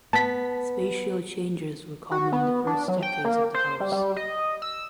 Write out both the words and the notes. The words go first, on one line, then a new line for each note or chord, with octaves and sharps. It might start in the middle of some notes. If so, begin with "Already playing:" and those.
Spatial changes were common in the first decades of the house.
B3 A5 B6
F#4
B3
D4
F#3
G5
A#3
C5
G3
G3
D#5
E6